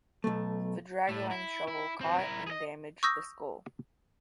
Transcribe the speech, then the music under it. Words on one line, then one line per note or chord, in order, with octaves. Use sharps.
The drag line’s shovel caught and damaged the skull.
B1 A3
A2 A3
E4
E4
C4 F#4
E4 A#4
G#4 D#5
C#6 D#6 E6 G6 A#6